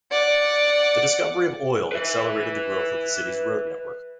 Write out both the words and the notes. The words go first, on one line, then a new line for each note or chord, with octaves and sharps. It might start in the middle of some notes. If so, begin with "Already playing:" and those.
The discovery of oil accelerated the growth of the city's road network.
D5 F#5
B4 E5